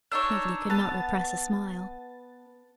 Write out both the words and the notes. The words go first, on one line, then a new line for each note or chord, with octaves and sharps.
Beverly could not repress a smile.
D4 D#4 C#5 E6
B3 A5 A6